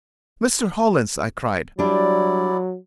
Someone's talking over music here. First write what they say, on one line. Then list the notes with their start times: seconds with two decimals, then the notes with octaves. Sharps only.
"Mr. Hollins!" I cried.
1.79 F#3 G3 D4 E4 D5